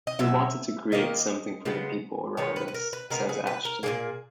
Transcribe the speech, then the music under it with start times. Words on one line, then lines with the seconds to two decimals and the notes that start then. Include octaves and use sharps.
"We wanted to create something for the people around us," says Ashton.
0.07 D#5
0.19 B2 F#3 E5
0.92 D#3 A#3 D#5
1.65 C#3 G#3 B3
2.37 D#3 G#3 B3 C#5
2.56 B4
2.68 B4
2.74 A#4
2.93 B4
3.10 C#3 G#3 B3 A#4
3.29 G#4
3.47 B4
3.65 A#4
3.83 A#2 F#3 A#3 G#4